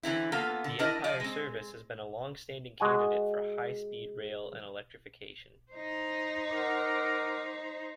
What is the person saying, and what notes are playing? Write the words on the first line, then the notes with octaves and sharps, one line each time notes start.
The Empire Service has been a long-standing candidate for high-speed rail and electrification.
D3 E3 C4 E4
A#3 B3 F4 A4
D3
D4 E4 A#4 D#5
F3 D5 D#5
G#3 C4
G#3 F#4 G#5
D#4 C5
A#4 F#5 D6